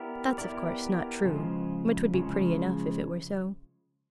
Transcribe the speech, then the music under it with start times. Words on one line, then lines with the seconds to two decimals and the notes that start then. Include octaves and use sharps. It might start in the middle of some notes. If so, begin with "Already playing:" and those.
That's, of course, not true: but 'twould be pretty enough if it were so.
Already playing: B3 E4 G4 A#4 D5
0.38 B3 E4 G4 A#4 D5
1.25 C#3 F3 G#3
2.14 C#3 F3 G#3